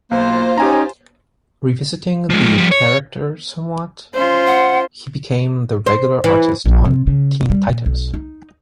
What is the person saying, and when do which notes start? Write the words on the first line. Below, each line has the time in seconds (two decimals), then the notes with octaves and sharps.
Revisiting the character somewhat, he became the regular artist on "Teen Titans".
0.11 B1 A#3 F4 C5
0.58 C#4 D#4 G4 G#5 A#5
2.30 F3 G#3
2.57 F3 G3
2.71 C#5
4.14 C#4 F4 C5
4.47 F#5
5.86 C5
6.24 E3
6.66 A#1
6.85 C3
7.07 C#3
7.50 G3
7.69 A#2
7.86 B1
8.14 D#4